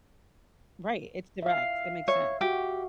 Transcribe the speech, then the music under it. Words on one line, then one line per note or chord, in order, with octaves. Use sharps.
Right, it's direct, it makes sense.
E5 F5
C#5 E5
F#4 G4